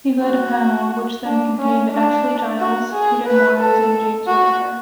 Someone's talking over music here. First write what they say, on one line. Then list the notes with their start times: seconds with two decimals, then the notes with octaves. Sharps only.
He led a panel, which then contained Ashley Giles, Peter Moores and James Whitaker.
0.24 F#4
1.25 D4
1.59 C#4
1.92 D4
2.60 F#4
2.93 G#4
3.27 B4
3.61 A4
4.28 F#4